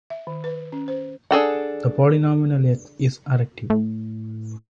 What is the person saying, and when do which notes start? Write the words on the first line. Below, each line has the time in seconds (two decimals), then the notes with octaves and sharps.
The polynomial "x" is additive.
0.10 E5
0.27 D#3
0.44 B4
0.72 C#4
0.88 C5
1.31 D4 G#4 A4 F#5
3.70 A2